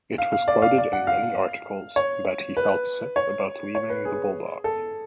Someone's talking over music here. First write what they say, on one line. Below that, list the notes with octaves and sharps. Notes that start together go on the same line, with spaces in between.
It was quoted in many articles that he "felt sick" about leaving the Bulldogs.
F5
F5
D5
F5
D5
F#5
F5
C#5
B4
C#5
C#5
B4
G#4
A4